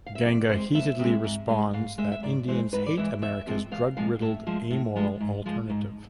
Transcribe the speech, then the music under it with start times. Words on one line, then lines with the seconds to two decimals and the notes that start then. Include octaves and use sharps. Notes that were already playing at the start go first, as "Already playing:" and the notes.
Ganga heatedly responds that Indians hate America's drug-riddled, amoral alternative.
0.06 F5
0.15 E5
0.25 F2 D5
0.49 C3 G#3 C5
0.74 F2 E5
0.99 C3 G#3
1.24 G#2
1.49 G#3
1.73 G#2 F5
1.98 G#3 E5
2.12 E5
2.23 G#2 D5
2.48 E3 G#3 C5
2.72 G#2 B4
2.86 D5
2.97 E3 G#3 E5
3.22 E2 E5
3.47 C3 F3 G#3
3.71 E2 F5
3.97 C3 F3 G#3 F5
4.22 A2 E5
4.47 F3 G#3
4.70 A2
4.96 F3 G#3
5.20 G#2
5.46 F3 G#3
5.70 G#2